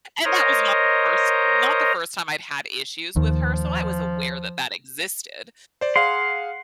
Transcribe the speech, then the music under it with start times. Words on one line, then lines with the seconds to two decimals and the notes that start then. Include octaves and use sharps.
And that was not the first not the first time I've had issues with her, so I was aware that that existed,
0.25 A#4 C5 C#5 D#5 A#5
3.16 D#2 F3
5.81 C5 D5
5.96 G#4 F5 F#5 C6